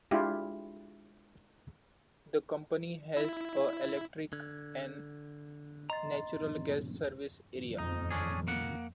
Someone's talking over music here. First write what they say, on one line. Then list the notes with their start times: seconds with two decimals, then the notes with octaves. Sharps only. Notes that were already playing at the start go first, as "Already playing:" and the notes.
The company has a electric and natural gas service area.
0.11 G#3 D4 E4 F4 G4
3.17 E4
4.33 D3 G#6
5.90 D#5 A#5 C6 A6
7.78 F2 D#4
8.11 C#4 D4 G#4
8.48 A#3 F#5